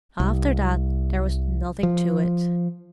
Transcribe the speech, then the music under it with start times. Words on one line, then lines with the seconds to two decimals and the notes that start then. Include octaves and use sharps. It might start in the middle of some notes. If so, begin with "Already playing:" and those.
After that there was nothing to it.
0.20 C2
1.83 F3